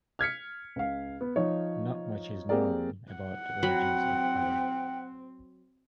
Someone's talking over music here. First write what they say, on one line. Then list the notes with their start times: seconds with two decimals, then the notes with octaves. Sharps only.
Not much is known about the origins of Ali.
0.19 F6 G#6 B6 C#7
0.76 C#2 F5
1.21 B3
1.36 F3 D#4 C#5
2.49 A#3 C4 G4 G#4 A#4 D5
3.13 F#5
3.63 F#3 C4 G5 B5